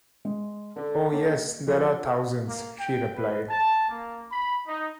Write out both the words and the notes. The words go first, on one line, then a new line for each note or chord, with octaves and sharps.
"Oh, yes; there are thousands," she replied.
G#3
D3 A4
A#3 C#5
C2 F#2 D3 F3
A#3
G5
B4
A5
A#3
B5
D#4